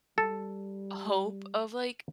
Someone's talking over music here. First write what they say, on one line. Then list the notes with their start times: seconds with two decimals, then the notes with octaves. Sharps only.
hope of, like
0.18 G3 A4